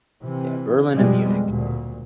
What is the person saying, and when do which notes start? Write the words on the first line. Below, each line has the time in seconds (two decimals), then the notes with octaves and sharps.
Yeah, Berlin and Munich.
0.24 C3 E3
0.95 F2 B2 G3 G#3
1.43 D2 A#2